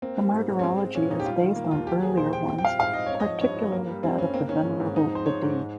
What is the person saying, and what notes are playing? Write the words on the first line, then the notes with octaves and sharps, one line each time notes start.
The martyrology is based on earlier ones, particularly that of the Venerable Bede.
A#3 C4
G3
G#2
G#2
C#4
C4
G#3
A#2 C#4
A#2 D#4
G4
G3 F4
D#3
A#3
D#2 F4
A#3 G4
F3 G#4
A#2 C5
A#2 G5
C4 G5
G5
G3 F5
G#2 F5
G#2 D#5
C4 C#5
D#5
F3
G2 C#5
G2
A#3
G3
G2 C4
G2 C#4
A#3 C4
D#3 C#4
G#2
G#2
C4 D#4
F3 C5
G#2 C#5
G#2
G#3